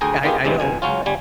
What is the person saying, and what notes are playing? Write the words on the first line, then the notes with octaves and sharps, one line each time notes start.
I I know, I
D2 G#4 G5 G#5 A#5
D#3 B3 F4 G4 G#4
E2 G2 C3 G3 G#3
C2 B2 G#5
C#2 F#3 C#4 F4
G1 G3 G#5